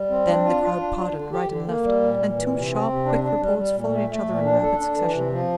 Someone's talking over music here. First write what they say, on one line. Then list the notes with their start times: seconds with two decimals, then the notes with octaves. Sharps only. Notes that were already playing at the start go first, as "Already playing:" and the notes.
Then the crowd parted right and left, and two sharp quick reports followed each other in rapid succession.
Already playing: G3
0.10 C4
0.27 D4
0.45 F4
0.63 F4
0.80 D4
0.98 D4
1.14 D3
1.32 G4
1.49 D3
1.67 A#3
1.84 G3
2.02 A#2
2.19 A#2
2.36 E3
2.54 C3
2.71 C4
2.89 C3
3.05 D4
3.24 D4
3.41 G3
3.58 G3
3.75 A#2
3.92 A3
4.10 A3
4.28 A#2
4.46 D4
4.63 A4
4.80 D4
4.97 E3
5.14 C3
5.32 F3